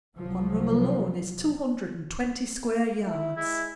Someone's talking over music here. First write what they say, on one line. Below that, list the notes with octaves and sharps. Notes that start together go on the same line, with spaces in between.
One room alone is two hundred and twenty square yards.'
C2 F3 F#3
E4
G#3 E4